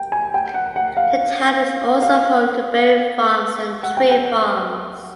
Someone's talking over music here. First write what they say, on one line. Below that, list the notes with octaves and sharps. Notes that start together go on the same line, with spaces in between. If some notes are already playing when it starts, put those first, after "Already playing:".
The town is also home to berry farms and tree farms.
Already playing: G5
G#5
G5
F#5
F#5
F5
F5
F#5
G5
G5